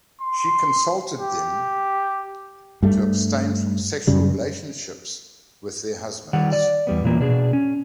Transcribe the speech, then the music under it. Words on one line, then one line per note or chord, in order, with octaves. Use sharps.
She counseled them to abstain from sexual relationships with their husbands.
C6
G4
G2 G3 A3
F#2 C#3 G3
D#3 G3 F#5
D5
E2 G3 B3
A#2 E3 A#3
B2 D4 G#4
C#4